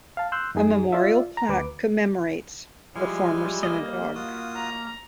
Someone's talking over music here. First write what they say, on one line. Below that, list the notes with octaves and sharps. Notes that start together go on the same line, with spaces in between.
A memorial plaque commemorates the former synagogue.
F5 A5
C6 E6 F#6 G6
F#2 D#4 G#4
F4 D5 E5
A#5
D2 B4 D6
F3 G3 G#3 E4 G#5
A#3 D#5
F4 F#4 D#6
A#5